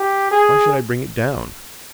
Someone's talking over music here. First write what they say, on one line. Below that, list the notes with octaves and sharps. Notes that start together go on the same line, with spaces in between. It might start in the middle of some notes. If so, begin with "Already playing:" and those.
Why should I bring it down?
Already playing: G4
G#4